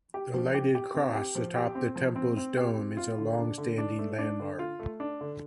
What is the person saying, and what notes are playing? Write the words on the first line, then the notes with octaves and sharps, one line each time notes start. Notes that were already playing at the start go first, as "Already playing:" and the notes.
The lighted cross atop the temple's dome is a longstanding landmark.
G4
F3
G4
G4
C4
G4
F3
G4
C4
F3
C4
C4
G4
C4
F4
D3
D4
D3
D4
A3
D4
D3
F4
A3
D4
D3